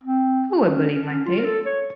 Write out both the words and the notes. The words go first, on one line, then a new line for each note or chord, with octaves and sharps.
Who would believe my tale?
C4
C#4
C#4
D4
C#4
F4
A#4
A4
C#5